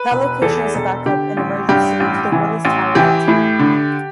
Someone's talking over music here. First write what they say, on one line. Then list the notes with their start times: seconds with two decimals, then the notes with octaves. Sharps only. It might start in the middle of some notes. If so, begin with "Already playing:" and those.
That location is a back-up, in emergency, to the Willis Tower antenna.
Already playing: B4
0.11 E1
0.42 E2 A4
0.74 E1
1.05 D3 G4
1.37 A1
1.69 G2 G4
2.00 A1
2.32 E3
2.65 A1
2.95 E3 G4
3.28 A2
3.59 D3